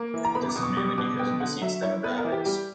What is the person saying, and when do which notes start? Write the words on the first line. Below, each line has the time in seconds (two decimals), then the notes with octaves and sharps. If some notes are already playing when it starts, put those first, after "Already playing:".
This is mainly because of the seat's demographics.
Already playing: A#3
0.14 E3
0.25 A#5
0.35 B3 B5
0.49 D6
0.56 B2
0.63 C#6
0.77 G3 D6
0.98 B2 D6
1.19 B3 G5
1.40 D3 F#5
1.61 F#3 E5
1.82 E4 C#5
2.04 B3 B4
2.18 A#4
2.25 E3
2.32 G4
2.45 G3 G4